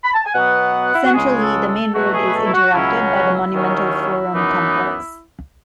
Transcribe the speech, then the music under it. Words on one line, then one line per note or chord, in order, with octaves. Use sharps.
Centrally the main road is interrupted by the monumental forum complex.
B5
A5
G#5
B2 F#3 B3 F#5
E4
F#4
C#2 C#3 G#3 G#4
A4
A4
B2 F#3 A3 F#4
G#4
B4
A4
E4
F#4
C#2 B2 F#3 C#4 E4
F#4
F#4
E4
D#2 D#3 F#3 C#4
F#2 E3 B3 D#4